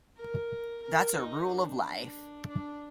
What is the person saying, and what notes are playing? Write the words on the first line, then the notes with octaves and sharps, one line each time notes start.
That's a rule of life.
A#4
A#4
D#4
D4
D4